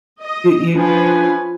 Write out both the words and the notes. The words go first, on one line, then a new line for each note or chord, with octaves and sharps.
You you ju
D#5
F3 C#4 D4 B4 G#5